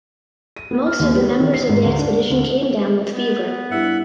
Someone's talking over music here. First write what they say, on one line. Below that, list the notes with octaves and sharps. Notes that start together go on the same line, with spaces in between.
Most of the members of the expedition came down with fever.
D#7
B3
F6
D#2
G3
C#5
D#3
C7
G#2
D2
D4
D2
B3
G2 E4 E5 F#5